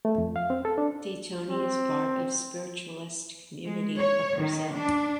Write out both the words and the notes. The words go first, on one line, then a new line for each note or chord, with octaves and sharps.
De Toni is part of spiritualist community of Brazil.
A3
F2
F5
C4
A4
D4
C4
G#3
C#5
D#3
D4